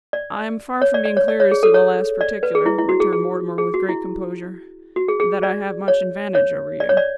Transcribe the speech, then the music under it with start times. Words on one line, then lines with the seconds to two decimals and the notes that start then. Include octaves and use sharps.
'I am far from being clear as to the last particular,' returned Mortimer, with great composure, 'that I have much advantage over you.'
0.13 D5
0.82 C#5
0.94 D5
1.05 D5
1.17 C#5
1.28 D5
1.40 C#5
1.51 G#4
1.63 A4
1.74 C#5
2.21 D5
2.43 B4
2.55 G#4
2.66 E4
2.78 E4
2.89 F#4
3.00 G#4
3.13 G#4
3.58 G#4
3.74 F#4
3.89 E4
4.96 F#4
5.08 G#4
5.20 G#4
5.43 D5
5.88 C#5
6.35 C#5
6.80 D5
6.89 C#5
6.97 D5